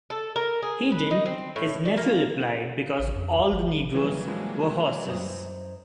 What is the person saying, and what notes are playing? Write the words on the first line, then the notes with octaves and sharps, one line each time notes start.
He didn't, his nephew replied, because all the negroes were horses.
A4
A#4
G#4
B4
D#4
C4
A2
D5
A#3
A1
F2
D2
G1
E3 F#3 G3 A#3
A2 F3 G#3
F#2 C5 D#5